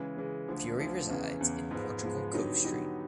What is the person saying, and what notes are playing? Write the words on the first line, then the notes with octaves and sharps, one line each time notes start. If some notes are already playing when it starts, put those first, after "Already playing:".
Furey resides in Portugal Cove–St.
Already playing: C#3 E3 G#3
C#3 E3 G#3
D2 D3 F3
D2 D3 F3
E2 C#3 E3
E2 C#3 E3
G#2 F3 G#3 B3
G#2 F3 G#3 B3
D3 F#3 B3 D#4 G4
D3 F#3 B3 D#4 G4